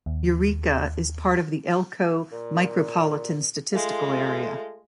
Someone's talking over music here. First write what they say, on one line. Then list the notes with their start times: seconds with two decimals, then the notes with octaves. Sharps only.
Eureka is part of the Elko Micropolitan Statistical Area.
0.06 D#2
2.32 A#2
3.74 G#3 A3 F4